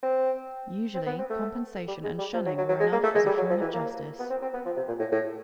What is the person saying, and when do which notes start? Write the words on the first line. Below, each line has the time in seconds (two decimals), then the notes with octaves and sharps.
Usually, compensation and shunning were enough as a form of justice.
0.03 C4
0.95 C4
1.06 B3
1.19 C4
1.30 A3
1.88 G3
2.03 G#3
2.19 G3
2.34 F3
2.46 F#3
2.58 F#3
2.69 F#3
2.80 G#3
2.92 A#3
3.03 A3
3.15 G#3
3.26 G3
3.37 F#3
3.50 F3
3.61 E3
3.73 A#3
4.19 B3
4.30 C4
4.42 C4
4.54 B3
4.66 F3
4.76 C3
4.88 A#2
4.99 A2
5.12 A2